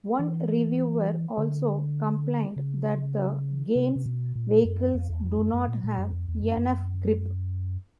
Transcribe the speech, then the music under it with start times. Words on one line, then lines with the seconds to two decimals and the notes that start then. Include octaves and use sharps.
One reviewer also complained that the game's vehicles do not have enough grip.
0.19 E3
1.38 D3
2.56 C#3
3.75 C3
3.96 C3
4.06 B2
4.36 A#2
4.65 F#2
4.95 F2
5.09 E2
5.24 F2
5.39 F#2
5.54 F#2
5.68 A#2
5.84 A#2
5.98 F#2
6.12 F2
6.28 E2
6.43 F#2
6.57 F#2